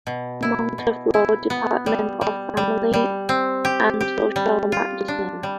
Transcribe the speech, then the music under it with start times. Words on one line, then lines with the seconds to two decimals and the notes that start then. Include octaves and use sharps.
Montefiore Department of Family and Social Medicine.
0.07 B2
0.43 E4
0.78 B2
1.14 E4
1.50 B3
1.86 G3
2.21 G3
2.57 G3
2.93 G3
3.29 C4
3.65 G4
4.01 G4
4.36 G3
4.72 F4
5.08 D4
5.43 G3